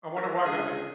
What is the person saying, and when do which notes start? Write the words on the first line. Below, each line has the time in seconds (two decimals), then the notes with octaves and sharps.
I wonder why that is.
0.17 A#4
0.45 C#2 D3 G#4